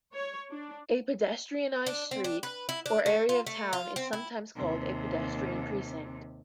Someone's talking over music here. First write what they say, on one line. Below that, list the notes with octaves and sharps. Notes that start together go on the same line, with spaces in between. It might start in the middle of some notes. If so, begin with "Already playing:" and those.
A pedestrianised street or area of a town is sometimes called a "pedestrian precinct".
C#5
D4
D4
C4
D4
B4
E4
D4
A3
F4
A3
F4
C4
E4
D#2 C3